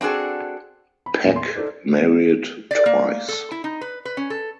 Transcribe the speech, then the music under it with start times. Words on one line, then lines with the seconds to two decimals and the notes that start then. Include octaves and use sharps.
Peck married twice.
0.01 C4 D4 F#4 G#4 A4
1.06 B5
1.24 E2 A#2 A#3 A4 G#5
1.36 C6
1.55 D#4 A4 A#4 C5 D5
2.71 D5
2.86 A#3
3.28 A4
3.51 E4
3.64 D#4
3.81 B4
4.05 B4
4.17 C#4
4.30 A4